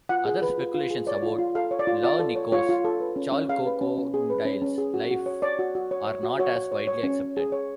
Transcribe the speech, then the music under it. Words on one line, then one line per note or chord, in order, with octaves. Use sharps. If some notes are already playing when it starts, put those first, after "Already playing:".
Other speculations about Laonikos Chalkokondyles' life are not as widely accepted.
F4 F#5
G#4
B4
F4
F4
G#4
C#5 D5
F4
F4
A4 F5
C#5
D5
F4
F4 D5
A4
C#5
F4 C#5
F4
A4
B4
C#4
C#4
G#4 F5
B4
C#4
C#4
G#4
B4
C#4
C#4
G#4
F#4
F#4
C#5
C#5 D5
F#4
F#4
C#5
C#5
F#4
F#4 C#5
C#5
C#5
C#5
C#4
C#4
G#4
C#5